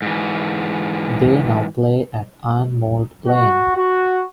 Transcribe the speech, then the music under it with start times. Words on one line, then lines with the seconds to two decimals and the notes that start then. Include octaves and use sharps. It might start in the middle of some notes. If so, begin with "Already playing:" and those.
They now play at Ironmould Lane.
0.02 G#2 E3
3.27 F#4
3.75 F#4